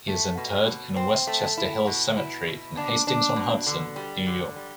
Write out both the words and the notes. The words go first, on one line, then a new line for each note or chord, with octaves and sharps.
He is interred in Westchester Hills Cemetery in Hastings-on-Hudson, New York.
A3
B2
B2
C4
A3
E4
B2
E4
B2
D4
D4
B2
D3
G3
D3
G3